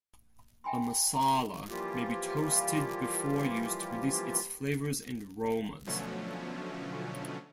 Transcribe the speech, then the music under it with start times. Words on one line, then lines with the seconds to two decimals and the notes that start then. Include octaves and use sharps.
A masala may be toasted before use to release its flavours and aromas.
0.64 E5 G5 G#5 B5 C6
1.69 E3 F3 G3 A#3 F4 G4
5.87 B2 D3 F3 F#3 A3 C#4